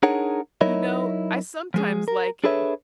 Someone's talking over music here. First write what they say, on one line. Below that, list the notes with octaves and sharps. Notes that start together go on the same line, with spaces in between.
You know, I sometimes like him.
D4 D#4 G#4 A#4 C#5 F#5
F#3 D#4 E4 A#4 C#5 D#5
F3 G#3 G#4
A#4
D4 G#4 A4 B4 C#5 E5